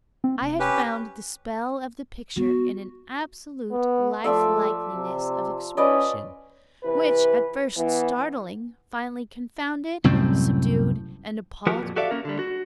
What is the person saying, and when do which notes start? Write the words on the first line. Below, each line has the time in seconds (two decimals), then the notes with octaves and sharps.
I had found the spell of the picture in an absolute life-likeliness of expression, which, at first startling, finally confounded, subdued, and appalled me.
0.24 C4
0.41 F1
0.60 C#4 G4 B4
2.36 B3 F#4
3.71 B3
4.24 F3 A3 D5 E5
4.93 C3
5.77 C#4 B4 D5 D#5
6.84 C3 E3 B4
7.77 E3 B3
10.04 C2 F#2 A2 C4
11.67 F3 F#4 G4 A#4
11.82 F2 A#2
11.96 F#4 G4 A4 D5 E5 F5
12.11 A#3 C#4 A#4
12.25 D3 G3
12.39 F#4